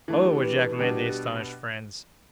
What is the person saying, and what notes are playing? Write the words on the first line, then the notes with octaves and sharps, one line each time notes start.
"Oh!" ejaculated the astonished friends.
E3 A3 D4 E4
G4
B4
B2 G3 B3 D4 G4